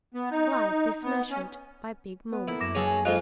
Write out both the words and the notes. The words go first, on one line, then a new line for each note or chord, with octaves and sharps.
Life is measured by big moments.
B3
D#4
B3
C#4
B3
A#3 E4 A4
F#2 D6 A#6 E7
F#3 B3 C#4 D#4 F#4 G#4 A4
G#5
F2 G#3 F4 C5 F#6